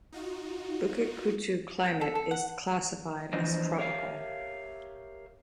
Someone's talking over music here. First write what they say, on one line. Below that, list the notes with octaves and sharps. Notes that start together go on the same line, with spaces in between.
Bukit Kutu climate is classified as tropical.
D#4 F4 F#4
G5
A4
A4
F#5
E3 F3 D4 C5 D5 D#5
G4 A#4 C#5 E5 F5